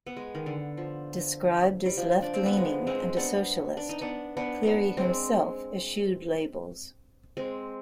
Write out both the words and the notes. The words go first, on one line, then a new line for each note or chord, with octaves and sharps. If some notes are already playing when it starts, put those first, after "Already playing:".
Described as left-leaning and a socialist, Cleary himself eschewed labels.
B3
G#3
D#3
D3
F3
G3
F3
D4
C4
B3
G#3
G#3 C4
B3 D4
D4
D#4
B3 D4
B3 D4
B3 D4 D#4
G#3 C4
G#3 C4